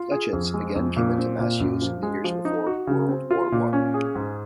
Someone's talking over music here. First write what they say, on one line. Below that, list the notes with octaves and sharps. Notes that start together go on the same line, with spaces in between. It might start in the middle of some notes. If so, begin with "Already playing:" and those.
Flechettes again came into mass use in the years before World War One.
Already playing: F4
G#4
F2
G#3
F2
A#2
C4
A#2
F#2
F3
G#3
F3
D#4
F#4
C#3
C4
F4
A#2
C#4
G#4
G#2